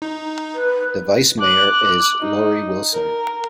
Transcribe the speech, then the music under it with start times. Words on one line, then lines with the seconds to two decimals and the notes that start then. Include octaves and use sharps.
The Vice Mayor is Lori Wilson.
0.02 D#4
0.55 B4
1.39 D6 F#6
2.21 D#4
2.93 A#4